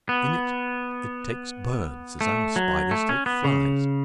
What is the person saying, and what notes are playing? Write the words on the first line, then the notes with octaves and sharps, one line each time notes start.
In it it takes birds as our spiders take flies.
B3
A3
F#3
A3
C#4
B3
C#3